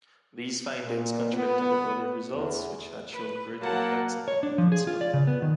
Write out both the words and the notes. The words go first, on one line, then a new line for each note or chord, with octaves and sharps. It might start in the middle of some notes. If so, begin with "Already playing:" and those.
These findings contradicted the earlier results, which had shown greater effects upon people's health.
A#2
B3
E2
B4
F#3 A#3 F#5 A5
C#5
D4
F3
G#4
F4
D5
C#3
B3
D#3